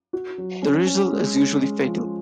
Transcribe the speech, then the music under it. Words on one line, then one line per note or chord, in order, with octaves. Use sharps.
The result is usually fatal.
F#4
F#3
C#4
C#4
G#3
C#4
G#3
F3